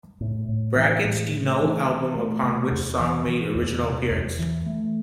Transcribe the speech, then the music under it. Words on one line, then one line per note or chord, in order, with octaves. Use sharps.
Brackets denote album upon which song made original appearance.
A2
A2
E3
A2
A3
E3
E3
A3
C3
E2
E3
E3
E2
C3
E2
E3
A3